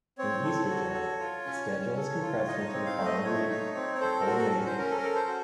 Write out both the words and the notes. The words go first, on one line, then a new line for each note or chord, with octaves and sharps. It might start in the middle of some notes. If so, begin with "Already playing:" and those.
In Easter term, the schedule is compressed into the final week, before May Week.
C4 C#5
A4
F#4
A4
F4
C#4
C#4
A4
F4
D#4 D#5
C#5
C4
F5
A3
D#5
A3 C#5
D#4
C4
C#5
A4 C5
A#4
F#4
A4
C#4
C5
C#4 A#4
A4
A#4
A4
C5
F#4